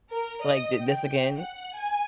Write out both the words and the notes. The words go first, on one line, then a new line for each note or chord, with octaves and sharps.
Like, "Thi this again?"
A#4
D#5
G5
F#5
G#5